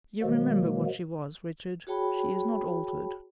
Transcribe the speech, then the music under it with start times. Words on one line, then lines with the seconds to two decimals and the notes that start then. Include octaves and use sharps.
"You remember what she was, Richard; she is not altered."
0.22 B2 D#3 F3 F#3 G#3 A#3
1.87 F#4 G#4 C#5 G5 A5 B5